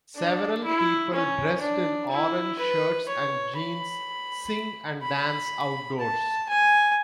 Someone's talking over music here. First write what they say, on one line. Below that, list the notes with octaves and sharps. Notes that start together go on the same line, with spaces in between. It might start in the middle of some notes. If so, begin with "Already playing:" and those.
Several people dressed in orange shirts and jeans sing and dance outdoors.
D4
E4
C#4
D4
E4
B4
C#5
B5
B5
A5
G#5